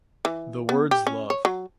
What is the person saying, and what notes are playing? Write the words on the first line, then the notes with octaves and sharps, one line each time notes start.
The words Love.
E3
B3
G4
C#4
C#5
F#3